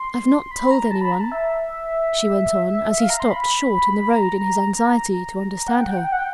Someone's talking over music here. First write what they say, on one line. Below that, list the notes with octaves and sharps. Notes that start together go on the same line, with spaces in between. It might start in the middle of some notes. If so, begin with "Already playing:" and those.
"I've not told any one," she went on, as he stopped short in the road, in his anxiety to understand her.
Already playing: C6
B5
A#5
A5
B5
A#5
A5
E5
E5
F5
A#5
C6
B5
A#5
A#5
F#5
G5
F#5
G5
F#5
G5
F#5
G5